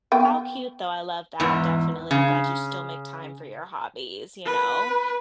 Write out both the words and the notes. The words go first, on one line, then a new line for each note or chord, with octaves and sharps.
How cute, though, I love that. Definitely. I'm glad you still make time for your hobbies, you know?
B3 G5
E2 G#2 E3
C#3
B4